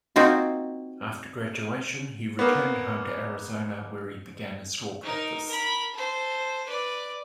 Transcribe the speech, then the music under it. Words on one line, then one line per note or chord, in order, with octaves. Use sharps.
After graduation, he returned home to Arizona, where he began his law practice.
A#3 C4 D#4 F4 F#4
A#3 B3
D#4 A#4
A#4 B5
A4 C5
B4 D5